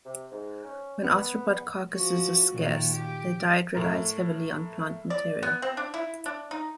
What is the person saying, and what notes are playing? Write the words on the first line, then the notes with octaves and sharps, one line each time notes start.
When arthropod carcasses are scarce, their diet relies heavily on plant material.
C3
G#2
C#4
B3
F3 F#4
A#2 D#3 A#3
G4
A2 A#4
D5
B3
C4
D4
E4
D4
D#4